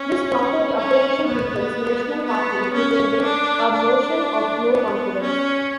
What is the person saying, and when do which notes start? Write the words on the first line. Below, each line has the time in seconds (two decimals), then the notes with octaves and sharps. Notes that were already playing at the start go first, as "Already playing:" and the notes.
This prompted the opposition People's National Party to table a motion of no confidence.
Already playing: C#4
0.77 C#4
1.26 B3
2.25 B3
2.74 C#4
3.24 D4
3.73 D4
4.72 B3
5.22 C#4